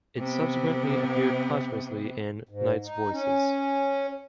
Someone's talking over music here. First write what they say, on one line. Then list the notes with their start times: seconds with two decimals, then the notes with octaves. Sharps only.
It subsequently appeared posthumously in "Night Voices".
0.19 C3 B3
2.49 G#2
2.83 D#4
3.12 C#4